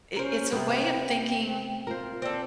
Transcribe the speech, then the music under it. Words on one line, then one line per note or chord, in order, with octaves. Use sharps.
It it's a way of thinking
C#4 A#4 C5
C3 B3 G5
F4 A#4 C5
C4 A4 D5